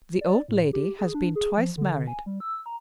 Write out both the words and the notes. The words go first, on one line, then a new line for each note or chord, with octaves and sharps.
The old lady has been twice married.
D5
A2
G4
G#4
D4
G#4
F3
D3
G#5
G3
E6
A#5